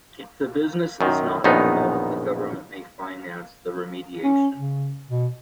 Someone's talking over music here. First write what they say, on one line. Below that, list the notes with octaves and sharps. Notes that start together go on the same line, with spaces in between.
If the business is not at fault, the government may finance the remediation.
F#2 D#3
A#1 F#2 B2 D#3 B3 D#4
C#4
C#3
B2